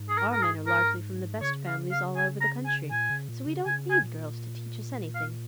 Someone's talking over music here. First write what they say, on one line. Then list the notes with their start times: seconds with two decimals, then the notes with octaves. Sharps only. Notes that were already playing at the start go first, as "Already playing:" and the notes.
Our men are largely from the best families all over the country, so we don't need girls to teach us anything.'
Already playing: G#2
0.09 G#4
0.18 A#4
0.32 A#4
0.43 G#4
0.67 A#4
1.42 C#3 C#5
1.67 F5
1.92 F5
2.17 G#5
2.41 A#5
2.66 G#5
2.91 A#2 G#5
3.10 C#3
3.28 A#2
3.47 C#3
3.66 C#3 G#5
3.90 G#5
4.03 A#2
5.15 F5